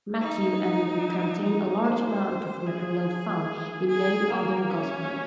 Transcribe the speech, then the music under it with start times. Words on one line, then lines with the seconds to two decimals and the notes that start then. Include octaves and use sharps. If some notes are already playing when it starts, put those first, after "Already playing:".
Matthew and Luke contain a large amount of material found in no other gospel.
0.21 D#4
1.44 D#4
1.85 C5
2.66 G#4
3.89 G#4
4.30 A#3
4.70 C#4